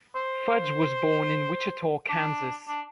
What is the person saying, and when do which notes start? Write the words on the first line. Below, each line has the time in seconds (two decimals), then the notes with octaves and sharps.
Fudge was born in Wichita, Kansas.
0.15 C5
2.09 D4
2.68 D4